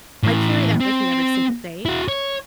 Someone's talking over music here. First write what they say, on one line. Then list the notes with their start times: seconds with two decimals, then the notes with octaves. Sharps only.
I carry that with me every single day,
0.23 A2 E3
0.80 C4
1.86 E4 F#4
2.08 C#5